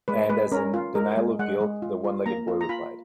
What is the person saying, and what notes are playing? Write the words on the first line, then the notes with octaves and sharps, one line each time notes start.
And as in denial of guilt, the one-legged boy replied.
G#3 B4
G#3 B4
C#4 A#4
F4
G#3 A#4
G#3
G#3 F#5
G#3
F4
F4
A#3 A#5
F4
A#5
F4 B5